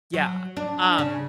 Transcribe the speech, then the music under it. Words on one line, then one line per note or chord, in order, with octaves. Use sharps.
Yeah. Um,
F#3
D4
C#3